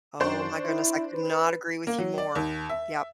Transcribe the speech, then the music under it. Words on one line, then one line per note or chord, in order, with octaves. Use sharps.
Oh my goodness, I could not agree with you more. Yup.
F#2 D4 C5 C#6
E4
B4
A#3
F#3
D5
D#2
E5